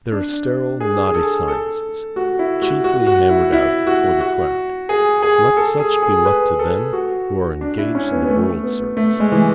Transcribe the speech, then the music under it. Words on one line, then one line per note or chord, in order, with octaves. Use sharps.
There are sterile knotty sciences, chiefly hammered out for the crowd; let such be left to them who are engaged in the world's service.
D4
G#4
G#4
A4
A4
F#4
E4
F#4
F#4
F#4
E4
E4
F#4
F#4
G#4
G#4
A4
G#4
G#4
B4
A4
F#4
D4
E4
C#4
B3
B3
A3
B3
A3
G#3
E3